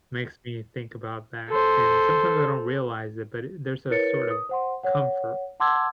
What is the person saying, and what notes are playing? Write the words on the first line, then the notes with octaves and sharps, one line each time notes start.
makes me think about that, and sometimes I don't realize it, but it, there's a sort of comfort
A4 C5
E4 A#4 B4 C#5 A6 C#7
D#6
C5 F#5 C6
C#5 F#5
F#5 A5 C6 D6 E6 G#6